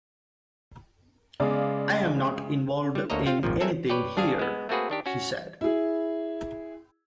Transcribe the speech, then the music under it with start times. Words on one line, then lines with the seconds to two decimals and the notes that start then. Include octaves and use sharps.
"I am not involved in anything here," he said.
1.40 C#3 G#3 B3 D5 F5
2.95 G3
3.10 D2 A#3 A4 C#5 D#5 A#5
3.26 C4 F4 F5 G5
3.43 G#1 D#2 A#2 F3
3.61 C4 A4 A#4 E5 G#5
3.90 B4 C#5 D5 G5
4.17 G#1 D4 G4 G#4 F5 G#5
4.39 G#3 B3
4.69 A3 A#3 C4 F#4 G#4 B4
4.90 D#3 D4 G4
5.06 C#4 F#4
5.61 E4 G#4